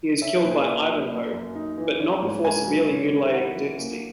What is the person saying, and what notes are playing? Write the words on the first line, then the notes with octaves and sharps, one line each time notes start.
He is killed by Ivanhoe, but not before severely mutilating Dynasty.
C#4 E5
B4
A#2
G#4
E4
F#3
A#3
F#2
D#4
E3
C#4
G#2
G#2 G#5
F#3
C#4
D#3
E4 F#5
F#3
A#3